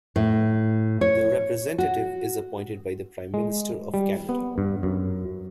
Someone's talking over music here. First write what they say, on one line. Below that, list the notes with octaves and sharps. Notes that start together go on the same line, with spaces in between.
The representative is appointed by the Prime Minister of Canada.
A2
C#5
F#4
G#3
G3
B3
G2
F#2